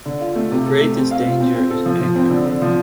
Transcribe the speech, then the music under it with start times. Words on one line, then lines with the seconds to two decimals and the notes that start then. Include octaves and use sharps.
The greatest danger is anger.
0.05 D3
0.21 F4
0.35 A3
0.51 C3
0.66 A4
0.81 A3
0.96 C4
1.11 F5
1.25 F4
1.40 C4
1.55 C4
1.71 A4
1.86 F3
2.01 F3
2.16 C4
2.31 D3
2.46 D3
2.62 F3